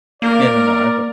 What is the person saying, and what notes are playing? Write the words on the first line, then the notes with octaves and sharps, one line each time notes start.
Yeah, no, no, I've got
A#3 A#4 D5